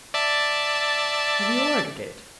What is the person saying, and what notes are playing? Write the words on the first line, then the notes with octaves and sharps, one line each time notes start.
Have you ordered it?'
D5 E5 A5